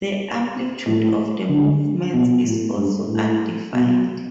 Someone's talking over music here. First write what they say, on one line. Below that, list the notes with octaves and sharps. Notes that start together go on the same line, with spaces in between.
The amplitude of the movements is also undefined.
A2
D3
B2
A2
G2
A2
B2